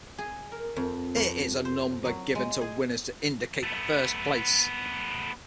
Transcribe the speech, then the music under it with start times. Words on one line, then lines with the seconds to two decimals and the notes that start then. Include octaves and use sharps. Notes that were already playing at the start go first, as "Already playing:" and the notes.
It is a number given to winners to indicate the first place.
0.18 G#4
0.52 A#4
0.77 F2
1.16 F2
1.65 C5
2.05 F#3
2.35 G#3
2.61 G#4
3.63 A3 B3